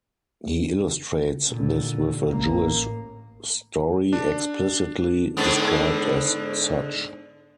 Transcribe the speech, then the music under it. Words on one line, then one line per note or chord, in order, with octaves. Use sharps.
He illustrates this with a Jewish story, explicitly described as such.
A#2 D3
A1 A#3
D4
G#2 D3 B3